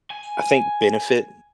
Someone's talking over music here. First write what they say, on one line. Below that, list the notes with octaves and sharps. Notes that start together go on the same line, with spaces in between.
I think, benefit
G#5